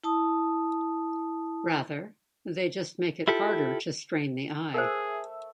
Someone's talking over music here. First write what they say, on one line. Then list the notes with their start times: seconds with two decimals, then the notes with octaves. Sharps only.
Rather, they just make it harder to strain the eye.
0.03 E4 A5 D#6
3.28 E4 F4 G4 A4
4.74 A3 G#4 A#4 C5 E5 E6